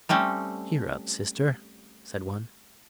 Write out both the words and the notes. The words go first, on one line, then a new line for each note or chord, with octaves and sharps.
"Cheer up, sister," said one.
G3 A3 C4 C#4